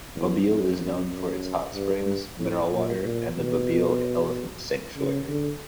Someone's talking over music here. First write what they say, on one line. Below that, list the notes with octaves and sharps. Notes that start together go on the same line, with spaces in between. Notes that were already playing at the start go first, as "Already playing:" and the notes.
Babille is known for its hot springs, mineral water and the Babille Elephant Sanctuary.
E2
F2
F#2
F#2
G2
A2
A#2
A#2
B2
C#3
D3